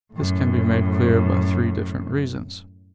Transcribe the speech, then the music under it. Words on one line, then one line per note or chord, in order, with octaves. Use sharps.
This can be made clear by three different reasons.
F#2 A2